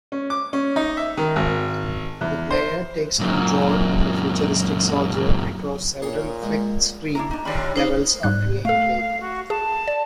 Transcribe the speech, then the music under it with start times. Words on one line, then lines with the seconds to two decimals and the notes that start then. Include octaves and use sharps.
The player takes control of a futuristic soldier across several flick-screen levels of gameplay.
0.12 C#4
0.30 D6
0.53 C#4
0.76 D#4
0.97 E5
1.17 D#3
1.36 G#1
2.21 E2
2.51 C5
3.19 F#2 A#2
6.02 A#2 G#4 C#5 C6
6.42 F3 G#3
7.15 D4 E4 A#4
7.31 D4 D#4
7.45 D#2 A#2 D3 D5 B5
7.76 A#3 D#4 C5
8.23 G#2 G3 F#6
8.65 A3 A4 F5
9.20 F#4
9.50 G#4 A5
9.88 D5